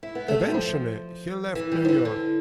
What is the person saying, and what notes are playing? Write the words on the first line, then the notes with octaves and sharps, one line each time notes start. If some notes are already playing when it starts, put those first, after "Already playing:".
Eventually, he left New York.
E4
B3
A3
G3
F3
E3
G3
F3
E3
D3